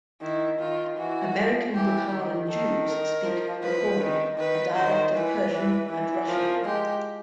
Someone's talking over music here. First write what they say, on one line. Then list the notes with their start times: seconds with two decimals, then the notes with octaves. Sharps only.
American Bukharan Jews speak Bukhori, a dialect of Persian, and Russian.
0.22 D#3 E4
0.59 D#3 F4
0.97 E3 F#4
1.35 F3
1.73 E3 G4
2.11 D#3
2.49 D#3 A4
2.86 A#4
3.24 F3
3.63 F3 B4
4.01 D#3
4.39 D#3 B4
4.76 D#3 C5
5.14 E3 B4
5.51 E3
5.89 E3
6.28 F3 A#4
6.65 G#3 G4